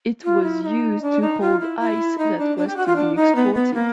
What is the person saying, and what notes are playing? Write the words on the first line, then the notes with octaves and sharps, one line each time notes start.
It was used to hold ice that was to be exported.
F4
E4
E4
D#4
D4
D#4
F4
E4
E4
D#4
D4
D4
G4
F#4
F4
D4
D#4
B3
B3
A#3